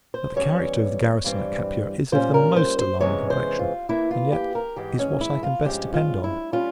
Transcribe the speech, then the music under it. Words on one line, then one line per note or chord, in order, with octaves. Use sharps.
But the character of the Garrison at Capua is of the most alarming complexion; and, yet, is what I can best depend on.
C5
E2 E3 G3 C#4 C#5
G2 E3 G3 C4
A#2 G3 C#4 C5
A#4
C5
C5
E2 C3 E3 G#3 C#4 C#5
C5
F4
E2 E3 A#3 E4
F4
G4
A#4
G#2 E3 G#3 G4
C#4
E4
F4
G2 F3 G#3 C#4 G4
F4
E4
G3 C#4 F4